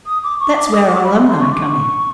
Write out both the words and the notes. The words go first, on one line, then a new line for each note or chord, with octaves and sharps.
That's where our alumni come in.
D#6
D6
C#6
D6
D#6
D6
B5
C6
C6
C#6
D6
C#6